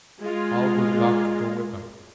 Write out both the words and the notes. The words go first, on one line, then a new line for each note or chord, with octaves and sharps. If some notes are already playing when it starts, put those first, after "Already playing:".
All good luck go with them.
G#3 F4